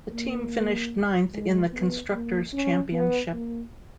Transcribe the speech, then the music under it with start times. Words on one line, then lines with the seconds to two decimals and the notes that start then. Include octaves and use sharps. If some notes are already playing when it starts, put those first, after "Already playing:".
The team finished ninth in the Constructors' Championship.
0.13 A#3
1.34 G#3
1.73 B3
2.13 A#3
2.53 C#4
2.93 B3
3.33 A#3